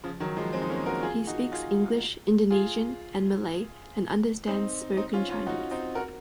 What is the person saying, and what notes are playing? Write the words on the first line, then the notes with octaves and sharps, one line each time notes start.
He speaks English, Indonesian and Malay and understands spoken Chinese.
C#3 F3
D#3 F#3
F3 G#3
G#3 C4
D#4
A#3 C#4
F#4 A#4
F4 G#4
D#4 F#4
F4 G#4
F4 G#4
C4 D#4
C4 D#4
C#4 F4
C#4 F4
D#4 F#4
C4 D#4
F#4 A#4